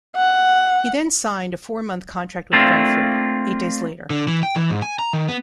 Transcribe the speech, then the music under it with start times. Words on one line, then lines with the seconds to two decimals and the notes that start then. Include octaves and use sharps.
He then signed a four-month contract with Brentford, eight days later.
0.16 F#5
2.53 A3 A#3 C4 D4 F4
4.10 D3
4.28 E3
4.43 G5
4.56 E3
4.70 G#2
4.82 G#5
4.99 A#5
5.13 D#3
5.28 B3